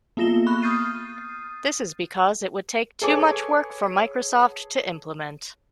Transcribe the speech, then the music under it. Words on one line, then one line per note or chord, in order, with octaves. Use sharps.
This is because it would take too much work for Microsoft to implement.
A#3 B3 F4 A#6 E7 G7
B5 C#6 F#6
D#6 F6 G6 A6 C7 D#7
G#4 A4 B4 C#5 G#5 D6